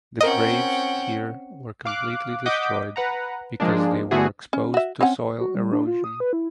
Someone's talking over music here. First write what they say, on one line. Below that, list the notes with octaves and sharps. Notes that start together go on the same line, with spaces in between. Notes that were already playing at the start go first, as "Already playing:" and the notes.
The graves here were completely destroyed because they were exposed to soil erosion.
C4 C#4 F4 A#4 D#5 F#5 G5
F5 D6 F#6
D#5 F#5 D6 D#6 G6 B6
B4 F#5 A#5
F3 G#3 A#3 D4
D3 A3 B3 E4 F#4 G#4
C#4
F#4 E5
C4 C#4 F#5
F#4
G3
D4
F4
D#6
B4
E4